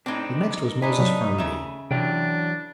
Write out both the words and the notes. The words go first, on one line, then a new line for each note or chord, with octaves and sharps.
The next was Moses Firmby.
A2 C4 D4 D#4
A3 D4 D#4 B4 G#5
C3 F#3
C#3 E5
C3 E3 F#3 D4 G5